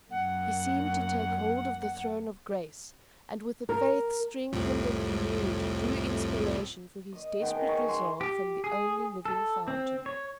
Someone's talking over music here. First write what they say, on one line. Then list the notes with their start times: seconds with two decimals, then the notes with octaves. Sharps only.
He seemed to take hold of the throne of grace and, with a faith strengthened and renewed, drew inspiration for his desperate resolve from the only living fountain.
0.10 F#2 A#3 F#5
3.69 A#4
4.52 C2 F2 A2
7.12 D#5
7.40 D#3 G#3 B3 G5
7.55 A5 A#5
7.68 G#4 C#5
7.89 G#5 C6
8.21 G4
8.64 G#4
9.25 A4
9.68 C4
10.06 C#5